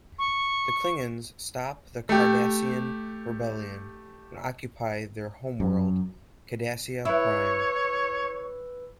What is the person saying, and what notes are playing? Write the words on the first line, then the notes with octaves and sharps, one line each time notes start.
The Klingons stop the Cardassian rebellion and occupy their homeworld, Cardassia Prime.
C#6
A3 G4
F#2
E4 B4 C#5 E6